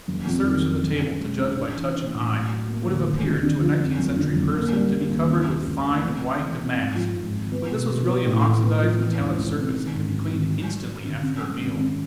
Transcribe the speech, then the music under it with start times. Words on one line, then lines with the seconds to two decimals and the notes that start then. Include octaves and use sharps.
The surface of the table, to judge by touch and eye, would have appeared to a nineteenth-century person to be covered with fine white damask, but this was really an oxidised metallic surface, and could be cleaned instantly after a meal.
0.08 F#1
0.27 F2
0.46 D#3
0.64 F#1
0.83 B1
1.02 C#4
1.20 G#3
1.39 C#4
1.57 D4
1.76 E3
1.94 D4
2.12 A2
2.31 F#3
2.50 F#3
2.69 A#3
2.87 D2
3.06 D#2
3.24 D3
3.43 D3
3.61 F3
3.80 F2
3.99 F#1
4.17 D3
4.36 F#1
4.54 A#3
4.73 G3
4.92 G3
5.10 D#2
5.28 C#3
5.47 F#3
5.66 C#2
5.85 A3
6.03 C3
6.21 C3
6.40 E3
6.59 C3
6.77 G#2
6.96 F3
7.15 G#2
7.33 G#1
7.52 B3
7.70 B2
7.89 B2
8.07 B3
8.26 A2
8.45 A2
8.63 B3
8.82 F3
9.00 E3
9.19 C#2
9.37 C#2
9.56 C3
9.75 D#3
9.93 G#2
10.12 F#3
10.30 G#1
10.49 F#3
10.68 F#3
10.86 F#3
11.05 D3
11.23 C#3
11.42 F#2
11.61 G#1
11.79 C#3